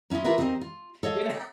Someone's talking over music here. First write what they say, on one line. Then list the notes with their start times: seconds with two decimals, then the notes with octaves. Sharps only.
you know?
0.10 F#3 C#4 E4 F4 D#5
0.24 E4 F4 G4 A#4 B4 E5
0.38 D#2 C4 D#4 G#4 C5 D#5
0.61 F4
1.03 A4 C#5 D#5 F5